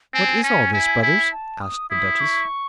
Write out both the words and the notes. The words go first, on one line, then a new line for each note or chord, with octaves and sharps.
"What is all this, brothers?" asked the duchess.
C4 G#5
C#4
E4
E4
A5
D#6
E4 D#6
C#6